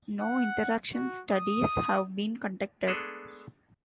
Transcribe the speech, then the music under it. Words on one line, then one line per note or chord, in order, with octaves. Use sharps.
No interaction studies have been conducted.
F#5
F#4
D#6
G#3 A3 B3 D4 G#4 A4